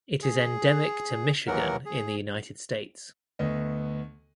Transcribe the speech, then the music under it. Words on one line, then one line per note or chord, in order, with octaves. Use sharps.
It is endemic to Michigan in the United States.
G#4
D#2 E3 F#3 A#4 F#5
G#4
D2 A3 B3 D#5